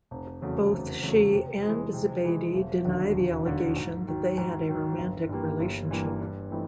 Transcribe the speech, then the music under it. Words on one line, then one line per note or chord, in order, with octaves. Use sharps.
Both she and Zubeidi deny the allegation that they had a romantic relationship.
F1
E2 C#3 F#3 A3
F1
E2 C#3 F#3 A3
C3
E3 G#3
C3
E3 G#3
E1
D#2 D3 F#3
E1
D#2 D3 F#3
G#2
D#3 F#3
G#2
D#3 F#3
G1
G2 E3 G3 A#3
G1
G2 E3 G3 A#3
G2
E3 A3 C4 D#4